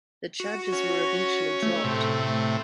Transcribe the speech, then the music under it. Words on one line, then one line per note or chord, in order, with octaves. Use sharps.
The charges were eventually dropped.
F#4
C#4
A3
A2 C3